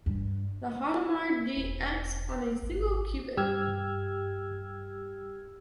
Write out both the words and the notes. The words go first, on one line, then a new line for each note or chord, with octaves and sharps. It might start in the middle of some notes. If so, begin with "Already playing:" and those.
The Hadamard gate acts on a single qubit.
G2
E1
G#1
G2 G4 E6 F6 G#6